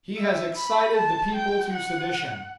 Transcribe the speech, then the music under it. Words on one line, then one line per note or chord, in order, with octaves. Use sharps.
He has excited the people to sedition.
E5
B5
A5
G5
F#5